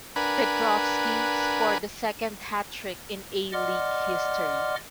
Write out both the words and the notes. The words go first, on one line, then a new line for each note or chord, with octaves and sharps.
Petrovski scored the second hat trick in A-League history.
D4 A#4 B4 F#5 G#5 B5
D5 D#5 F#5 C6 D6 F6